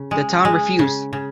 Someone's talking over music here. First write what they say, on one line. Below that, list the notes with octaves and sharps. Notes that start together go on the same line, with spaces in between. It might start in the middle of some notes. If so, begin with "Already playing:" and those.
The town refused.
Already playing: C#3
G#3
G#3
C#3
C#3